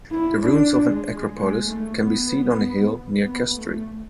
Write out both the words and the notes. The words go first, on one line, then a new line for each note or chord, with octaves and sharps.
The ruins of an acropolis can be seen on a hill near Kastri.
E4
D4
G#3
G#3
A3
B3
B3
A3